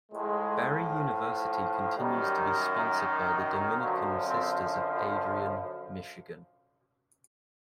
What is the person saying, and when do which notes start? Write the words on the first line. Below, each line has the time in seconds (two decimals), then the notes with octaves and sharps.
Barry University continues to be sponsored by the Dominican Sisters of Adrian, Michigan.
0.12 A2 F3 G#3
1.96 F#2 D#3 G3
3.80 F#2 D3 F3 F#3
4.25 C4